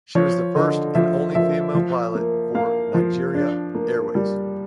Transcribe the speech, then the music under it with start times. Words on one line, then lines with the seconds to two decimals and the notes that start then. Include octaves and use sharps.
She was the first and only female pilot for Nigeria Airways.
0.15 F3 C#5
0.55 D3 D#5
0.95 F3 E5
1.35 F3 E5
1.75 F3
2.15 A#3
2.55 A#3 F5
2.94 F3
3.35 D4
3.75 A#3
4.15 G3